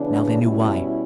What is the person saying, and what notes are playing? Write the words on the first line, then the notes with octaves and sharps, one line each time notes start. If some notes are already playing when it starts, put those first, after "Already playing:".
Now they knew why.
Already playing: C#3 E3 B3 D4
B2 G3 C#4 E4